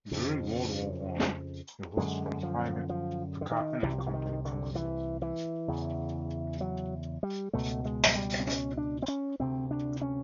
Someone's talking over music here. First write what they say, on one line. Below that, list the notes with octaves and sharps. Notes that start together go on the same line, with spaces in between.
During World War One, he rose from private to captain and company commander.
F2 C#3
F#2 D3 G#3
F3
F3
D3
D#3
C2 C3 E3
F3
E3
D#3
D3
E3
E3
E2 C#3
F#3
G3
C#2 B2 A3
G#3
F#3
G3
C4
C#4
D4
C4
C#4
D2 C3 C4
D4
C#4